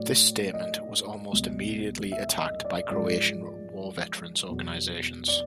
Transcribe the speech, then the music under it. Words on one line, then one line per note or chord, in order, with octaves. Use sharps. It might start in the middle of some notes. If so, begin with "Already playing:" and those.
This statement was almost immediately attacked by Croatian war veterans' organizations.
Already playing: A2 F#3 D5
D#5
C#2 B2 G3
E5
D#5
D5
G#2 F3 G#3 D5
E2 B2 F#3
D5